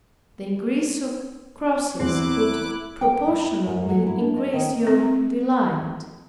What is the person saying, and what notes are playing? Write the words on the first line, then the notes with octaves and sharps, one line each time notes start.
The increase of crosses would proportionately increase your delight.
E2 C4 E4 D6 F#6
G5
E4
F#2
F#3
E4
D4
D#5
D#3
C4